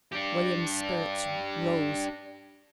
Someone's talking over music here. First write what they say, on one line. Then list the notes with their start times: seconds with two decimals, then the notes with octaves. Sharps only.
William's spirits rose.
0.13 D4 G4